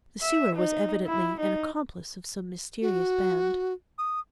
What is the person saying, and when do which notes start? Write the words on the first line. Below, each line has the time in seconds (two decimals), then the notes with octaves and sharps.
The sewer was evidently an accomplice of some mysterious band.
0.23 E5
0.56 D#4
1.07 E4
1.40 D#4
2.82 F#4
3.98 D#6